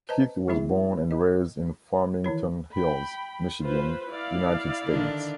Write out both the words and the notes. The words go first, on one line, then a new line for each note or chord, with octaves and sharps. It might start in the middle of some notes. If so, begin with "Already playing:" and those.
Keith was born and raised in Farmington Hills, Michigan, United States.
B4 C5 D#5 A5 A#5
F3 G#3 C4 E4 G#4 E5
D#5
D#3 E3 E4 C#5
G5 B5
F4 B4 C5
E4 D5 F5
D3 D#3 D4